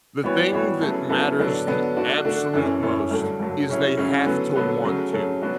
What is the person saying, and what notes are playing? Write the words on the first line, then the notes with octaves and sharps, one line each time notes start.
The thing that matters the absolute most is they have to want to.
E3 G3 B3 F#4 C#5
E3 G3 B3 F#4 C#5
C#3 F#3 B3 E4 A4
C#3 F#3 B3 E4 A4
D3 F#3 B3 D4
D3 F#3 B3 D4
D3 A3 D4 F#4
D3 A3 D4 F#4
F#2 E3 A3 C#4
F#2 E3 A3 C#4
G2 D3 F#3 A3
G2 D3 F#3 A3
C#3 F#3 C#4 E4
C#3 F#3 C#4 E4
D3 F#3 B3
D3 F#3 B3
C#3 F#3 A3
C#3 F#3 A3
F#3 B3 D4 F#4